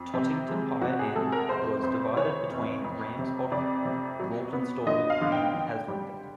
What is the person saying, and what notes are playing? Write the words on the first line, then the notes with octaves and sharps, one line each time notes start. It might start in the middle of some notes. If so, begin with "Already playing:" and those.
Tottington Higher End was divided between Ramsbottom, Rawtenstall and Haslingden.
Already playing: F2
C3
G#3
C3 F#4
G#4
C3 A4
A#4
F1 C5
F2 C5
E3 C#5
F1
F2
C3
F2 D5
C3
F#3
B3
D3 D#5
F5
D3
G5
D3
G3